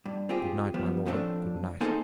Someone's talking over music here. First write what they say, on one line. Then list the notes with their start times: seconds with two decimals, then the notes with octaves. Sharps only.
Good night, my lord, good night.
0.06 G2
0.29 C4 F4 G4 G#4
0.74 F3 G3 B3
1.06 A2 F3 G3 A3 C4 D4
1.81 A#3 C4 D#4 G#4 A4 C5